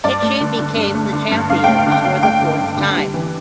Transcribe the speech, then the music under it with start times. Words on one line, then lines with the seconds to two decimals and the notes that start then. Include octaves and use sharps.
Kitchee became the champions for the fourth time.
0.04 G2 D5
0.22 A3
0.41 D3
0.59 D3
0.76 G2
0.95 A3
1.13 D3
1.31 G2
1.50 G2 F5
1.64 A3 G5
1.78 F5
1.86 D3
1.92 G5
2.04 D3 F5
2.23 A3 G5
2.42 D3
2.60 G2
2.77 D3
2.96 G3
3.14 E3